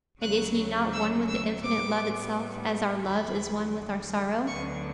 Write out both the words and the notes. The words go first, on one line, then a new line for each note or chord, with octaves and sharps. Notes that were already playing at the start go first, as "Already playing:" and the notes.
And is He not one with the Infinite Love itself--as our love is one with our sorrow?
D2 C#3 F#3 A3 F#6
E6
E6
A2 G3 B3 D6
E2 D3 F#3 B5
D2 D3 F#3 B3 C#6